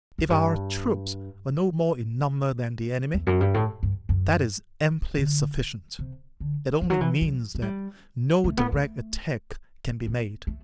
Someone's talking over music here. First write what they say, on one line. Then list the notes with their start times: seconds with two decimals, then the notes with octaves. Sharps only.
If our troops are no more in number than the enemy, that is amply sufficient; it only means that no direct attack can be made.
0.18 F#2
0.30 G2
3.14 E2
3.27 F#2
3.40 G2
3.54 A2
3.83 G2
4.09 F#2
5.18 D3
5.99 C3
6.40 D3
6.81 E3
6.90 F#3
7.01 E3
7.21 F#3
7.55 A3
7.62 G3
8.44 A3
8.58 B3
8.72 A3
10.07 B3
10.47 A3